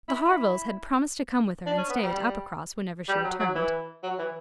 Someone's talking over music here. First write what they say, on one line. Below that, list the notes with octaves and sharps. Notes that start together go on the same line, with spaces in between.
The Harvilles had promised to come with her and stay at Uppercross, whenever she returned.
E4
E4
D4
C#4
B3
G3
G3
F#3
F#3
E3
F#3
E3